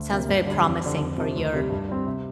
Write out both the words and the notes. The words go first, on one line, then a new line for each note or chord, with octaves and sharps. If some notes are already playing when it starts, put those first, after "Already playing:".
sounds very promising for your
Already playing: D2
C3 A#3
G2
D3 G3 D4
F2
D3 G3 C4
F2
C3 F3
D2
C3 G3
G2
G3 C4
C3